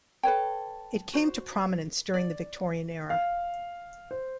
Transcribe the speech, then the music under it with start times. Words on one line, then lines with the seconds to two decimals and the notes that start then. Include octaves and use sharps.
It came to prominence during the Victorian era.
0.23 A4 B4 C#5 G5
1.13 F#4 C5
2.14 D5
3.10 F5
4.11 C5